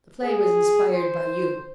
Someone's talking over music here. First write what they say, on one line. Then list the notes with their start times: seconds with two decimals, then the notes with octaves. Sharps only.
The play was inspired by you.
0.24 G#4
0.95 C5